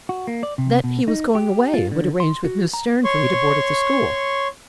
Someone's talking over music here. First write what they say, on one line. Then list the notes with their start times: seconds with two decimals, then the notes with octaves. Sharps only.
"That he was going away and would arrange with Miss Stearne for me to board at the school."
0.09 F#4
0.27 A#3
0.43 D5
0.58 C3
0.84 B2
1.08 D#4
1.35 G4
1.74 F4
1.92 D3
2.20 C6
2.45 F#4
2.73 A#5
3.04 C#5 C6 C#6